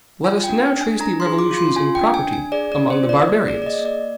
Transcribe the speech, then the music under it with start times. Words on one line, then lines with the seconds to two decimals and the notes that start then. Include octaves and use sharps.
Let us now trace the revolutions in property among the Barbarians.
0.24 F4 G#5
0.43 G5
0.49 D4
0.76 D4
0.81 G#5
1.00 D4 A#5
1.20 C6
1.26 G#4
1.39 D6
1.51 F4
1.57 C6
1.76 F4 G#5
1.95 G5
2.01 D4
2.14 G#5
2.28 D4
2.33 G#5
2.52 G#4 D5
2.72 D5
2.78 D4
2.90 C5
3.03 F4
3.09 D5
3.28 A#3 D5
3.48 D5
3.54 G#4
3.62 D5
3.66 D#5
3.79 A#3
3.85 D5